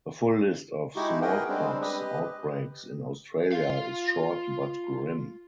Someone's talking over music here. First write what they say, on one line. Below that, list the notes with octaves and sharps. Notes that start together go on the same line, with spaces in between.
A full list of smallpox outbreaks in Australia is short but grim.
G#3 D#4 E4 F#4 G4
G#4 A#4 B4 D#5 F#5 G5
G3 G#3 C4 D4
G4 B4 D#5
F4 F5